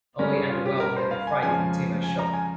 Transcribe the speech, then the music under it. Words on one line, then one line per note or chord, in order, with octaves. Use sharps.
Only at the well did the frightened Timur stop.
G2 G3 C#4 A#4
G#4
F4
G4
A#4
C5
F5
G#5
F2 C#3 F3 G#3 G#5
G#5
A#5
G#5